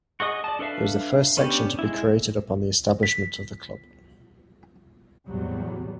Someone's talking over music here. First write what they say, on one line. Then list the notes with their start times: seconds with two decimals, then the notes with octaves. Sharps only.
It was the first section to be created upon establishment of the club.
0.20 F#4 G#4 D#5 D#6
0.44 D5 A5
0.59 D4 A4 B4 E5 F5
1.37 B3 C#4 D4 G4
1.79 G#3 E4
3.03 B6
5.27 E2 A2 C3 F#3 G3